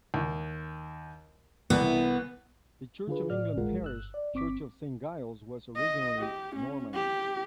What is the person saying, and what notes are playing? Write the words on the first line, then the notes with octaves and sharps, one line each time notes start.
The Church of England parish church of Saint Giles was originally Norman.
D#2
C2 E3 B3
D3 F4 G#4 B4
A2 D5 F6
G#1 D2 G#3 F4 A#4 F#5
G1 E6 F#6
D5
G1 C4 C#6 D6 B6
D#5
G4
C#4
G4